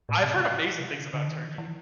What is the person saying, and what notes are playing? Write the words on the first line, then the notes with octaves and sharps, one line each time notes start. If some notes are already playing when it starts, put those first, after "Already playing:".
I I've heard amazing things about Turkey.
A2
C3
C3
C#3
C3
D3
D3
D#3
E3
E3